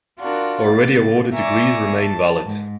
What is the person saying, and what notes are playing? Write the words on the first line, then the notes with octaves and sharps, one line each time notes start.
Already awarded degrees remain valid.
D4 F4 F#4 A#4
A#3 A6
D5 E5 G#5 A#5 C#6 D6
A5
G#2